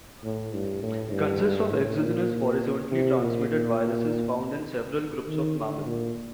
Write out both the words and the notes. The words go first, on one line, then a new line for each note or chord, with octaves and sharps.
It consists of exogenous horizontally transmitted viruses found in several groups of mammals.
A2
G2
A2
G2
G2
A2
A#2
C3
A#2
A#2
D#3
D3
A#2